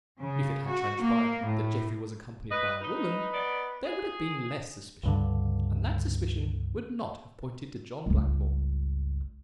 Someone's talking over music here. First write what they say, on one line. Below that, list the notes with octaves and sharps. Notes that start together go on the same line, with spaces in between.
But if it had transpired that Jeffrey was accompanied by a woman, there would have been less suspicion, and that suspicion would not have pointed to John Blackmore.
C#3
F#4
A#3
A2
B4 D#5
D#4 B4
B3 D#4 D5
G#4
C#2 G2 D3
G1 C#2